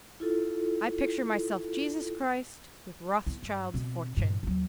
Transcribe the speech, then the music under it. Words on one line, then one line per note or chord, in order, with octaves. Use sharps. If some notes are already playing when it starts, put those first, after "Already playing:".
I picture myself Jesus Christ with Rothschild's fortune!
E4 F4 A4
B3 E4
G2
B2 C4
G2 A#2
D#2 F#3